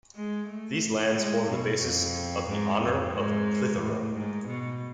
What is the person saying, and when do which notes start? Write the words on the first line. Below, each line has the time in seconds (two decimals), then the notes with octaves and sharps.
These lands formed the basis of the Honour of Clitheroe.
0.15 G#3
0.49 A3
1.15 G#3
1.48 B2
1.82 F2
2.48 G#2
2.81 F2
3.14 G#2
3.80 A2
4.14 G#2
4.47 B2